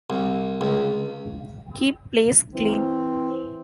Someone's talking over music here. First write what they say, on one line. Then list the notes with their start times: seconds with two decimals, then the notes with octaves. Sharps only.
Keep place clean!
0.10 C2
0.61 C#2
2.55 E3 C4